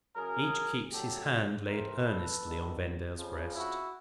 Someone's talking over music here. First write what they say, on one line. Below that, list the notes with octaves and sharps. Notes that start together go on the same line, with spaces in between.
Each keeps his hand laid earnestly on Vendale's breast.
F#2 C#3 F#3 G#4 A#4
A#2 F#3 A3 G4 A4
C3 E3 A3 A#4 C5
A4 B4
G2 D#3 G#3 B3
F2 C#3 F3
E4 F#4